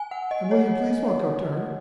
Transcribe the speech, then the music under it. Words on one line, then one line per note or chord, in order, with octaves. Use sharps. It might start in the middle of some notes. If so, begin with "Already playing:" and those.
"And will you please walk up to her?"
Already playing: G#5
F#5
D#5
C#5